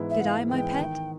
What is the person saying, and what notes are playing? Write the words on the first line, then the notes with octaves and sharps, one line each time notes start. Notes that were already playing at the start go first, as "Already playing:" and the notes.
"Did I, my pet?"
Already playing: G#2 E3 G#3 B3 E4
E5
G#2 F5 F#5
E3 G#3 B3 E4 G5
D#3